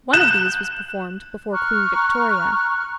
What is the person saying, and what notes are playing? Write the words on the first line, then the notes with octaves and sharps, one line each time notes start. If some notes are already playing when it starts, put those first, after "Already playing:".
One of these was performed before Queen Victoria.
F#6 G6 E7
A#5 C#6 F6 F#6